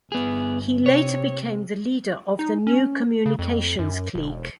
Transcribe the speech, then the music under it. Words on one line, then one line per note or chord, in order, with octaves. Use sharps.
He later became the leader of the New Communications Clique.
G1 B3 G#4
C3 C#5
D#4
C#4
C#3
F2
F#2
E1